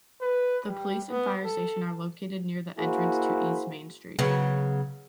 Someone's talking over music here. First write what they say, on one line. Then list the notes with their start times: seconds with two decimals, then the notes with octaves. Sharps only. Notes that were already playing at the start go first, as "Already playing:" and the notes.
The police and fire station are located near the entrance to East Main Street.
0.21 B4
0.68 G3
1.10 B3
1.45 A4
2.78 A#3 E4 F#4 G#4 C5
4.19 C#3 F#3 B3